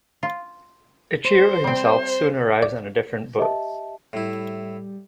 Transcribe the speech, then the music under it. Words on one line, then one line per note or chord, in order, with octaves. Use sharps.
Ichiro himself soon arrives on a different boat.
F4
C5
G3 C4
D5
G4 D#5 E5 A5
A2 G3 E4